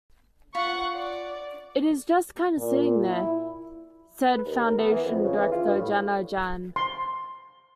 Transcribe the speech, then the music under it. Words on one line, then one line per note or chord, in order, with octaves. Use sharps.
"It is just kind of sitting there", said Foundation director Janna Jahn.
F4 F#5 B5 C#6
D5
A#2
E4
B4
D#2
A#4
B3
E3
F2
C#3
E3
F4
G2
A2
C6